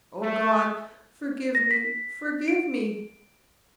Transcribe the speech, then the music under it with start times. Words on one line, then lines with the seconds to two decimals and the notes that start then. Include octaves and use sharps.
"Oh, God--forgive me--forgive me!"
0.21 A3
1.55 A#6
1.71 B6
2.48 D7